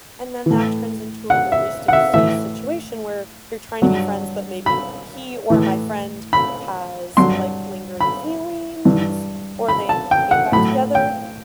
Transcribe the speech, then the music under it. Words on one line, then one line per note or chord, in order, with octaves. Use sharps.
and then that turns into a really sticky situation, where you're trying to be friends, but maybe he or my friend has, like, lingering feelings or they end up getting back together.
A2 E3
F#5
E5
F#5
E5
A2 E3 E5
G2 F#3
B5
A2 E3
B5
G2 F#3 C6
B5
G2 E3
B5
A5
G5
F#5
A2 F#3 B5
G5